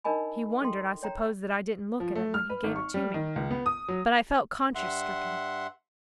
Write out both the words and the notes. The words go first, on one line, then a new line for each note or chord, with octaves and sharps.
He wondered, I suppose, that I didn't look at it when he gave it to me, but I felt conscience-stricken.
D4 D#4 A#4 D#5 G#5 B5
A4 G5 C6
C#5 G5 A#5
F3
A3
F6
B4
G#1
C#6
G3
D#3
C#2
B3
D#6
F#3
G2 E5 F#5 C6